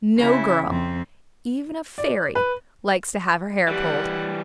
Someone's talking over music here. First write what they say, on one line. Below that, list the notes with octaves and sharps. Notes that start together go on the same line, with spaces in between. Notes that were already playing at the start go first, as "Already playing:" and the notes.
No girl, even a fairy, likes to have her hair pulled.
C#3 E4
F2 C4
D5
B4
E3 G3 G4 F#5